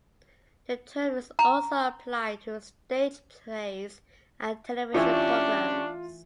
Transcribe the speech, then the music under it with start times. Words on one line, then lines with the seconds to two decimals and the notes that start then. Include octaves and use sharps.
The term is also applied to stage plays and television programs.
1.39 A#5
4.94 E3 A3 C#4 D4 E4 F4 G4